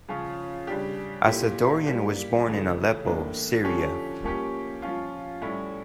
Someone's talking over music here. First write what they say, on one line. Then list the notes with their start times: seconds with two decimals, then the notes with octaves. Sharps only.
Assadourian was born in Aleppo, Syria.
0.09 C#3 F3 C#4 F4
0.67 C#3 G3 D4 G4
1.27 A#2 A3 E4 G4
1.86 G3 A#3 E4 G4
2.45 C#3 E3 A3 E4
3.05 A2 E3 A#3 D4
3.64 D3 F3 C#4 G4
4.23 F3 A#3 C#4 G4
4.82 F3 C#4 F4
5.42 A2 G3 C#4 E4